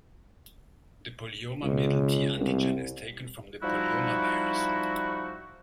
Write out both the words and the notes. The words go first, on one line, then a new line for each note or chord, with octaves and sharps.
The polyoma middle T-antigen is taken from the polyoma virus.
C#2
C2
F3 G3 D#4 E4 F#4